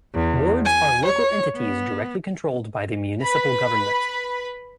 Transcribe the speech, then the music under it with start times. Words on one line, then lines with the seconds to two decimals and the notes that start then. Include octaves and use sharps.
Wards are local entities directly controlled by the municipal government.
0.15 E2
0.65 G#5
1.05 C#5
1.56 B3
3.21 B4 B5